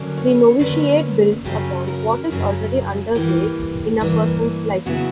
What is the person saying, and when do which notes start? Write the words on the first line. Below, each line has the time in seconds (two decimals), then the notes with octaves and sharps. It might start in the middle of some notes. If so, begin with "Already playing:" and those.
The Novitiate builds upon what is already under way in a person's life.
Already playing: D3 F#3 A#3 C#4
0.17 C#5
0.59 D3 F#3 A#3 C#4 B4
1.45 F#2 C#3 F#3 C#4 G4
1.88 A#4
2.30 F#2 C#3 F#3 C#4
3.15 G2 E3 A#3 G4
4.01 G2 E3 A#3
4.86 C#3 F#3 B3 E4 F#4